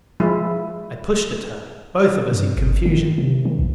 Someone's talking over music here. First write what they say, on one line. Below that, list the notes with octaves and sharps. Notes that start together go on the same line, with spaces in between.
I pushed at her, both of us in confusion.
F3 G#3 E4
G2
G1
D#3
C3
D#3
B1